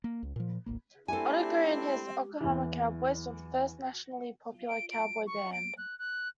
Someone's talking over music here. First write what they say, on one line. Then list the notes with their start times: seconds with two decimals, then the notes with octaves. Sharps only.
Otto Gray and his Oklahoma Cowboys were the first nationally popular cowboy band.
0.04 A#3
0.23 C#2
0.36 A#2 F3
0.66 D1 G#1 A#3
1.08 A3 C4 D4 E4 G4 A4 G#5
2.41 E2 E3
4.69 D7
4.90 D7
5.27 C#6
5.53 D7
5.78 F#6
5.99 F#6